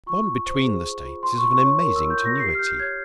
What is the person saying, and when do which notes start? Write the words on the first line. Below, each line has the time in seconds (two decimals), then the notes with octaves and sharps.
The bond between the States is of an amazing tenuity.
0.06 F4 C#6
0.27 F4
0.46 C5
0.65 G#4
0.85 F4
1.05 F4
1.23 F4 C6
1.38 C#6
1.43 F4
1.52 C#6
1.62 C#5
1.81 A#4
1.96 F4 E6
2.10 G6
2.21 F4 A#6
2.40 G4 C7
2.55 F6
2.59 G4 G6
2.79 C#5 G#6